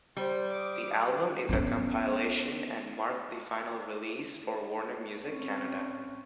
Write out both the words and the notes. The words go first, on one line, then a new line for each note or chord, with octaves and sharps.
The album is a compilation, and marked their final release for Warner Music Canada.
G3 C5
D6 D#6
B3 C#4
C4 C#4